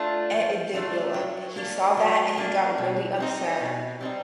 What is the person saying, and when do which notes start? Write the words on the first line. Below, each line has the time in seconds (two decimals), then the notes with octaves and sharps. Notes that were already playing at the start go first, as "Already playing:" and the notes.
and it did blow up. He saw that, and he got really upset.
Already playing: A3 D4 F4
0.33 F3
0.74 A3 D4 F4
1.14 F#3
1.56 A#3 D4
1.97 F#3
2.37 A#3 D4
2.78 B2
3.18 G3 C4 D#4
3.61 B2
4.01 G3 C4 D#4